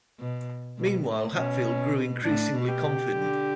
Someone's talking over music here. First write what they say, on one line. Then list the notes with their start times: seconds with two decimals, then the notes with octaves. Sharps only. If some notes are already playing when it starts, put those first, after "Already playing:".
Meanwhile, Hatfield grew increasingly confident.
0.19 B2
0.78 B2
1.07 A2
1.36 B2 C#4
2.24 A2 D4
2.53 B2
2.68 G4
3.12 D3